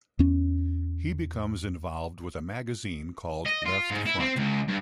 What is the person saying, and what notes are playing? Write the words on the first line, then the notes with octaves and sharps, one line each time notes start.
He becomes involved with a magazine called Left Front.
E2 C#4
D#5
F4
G#2
E4
C4
C#2
G2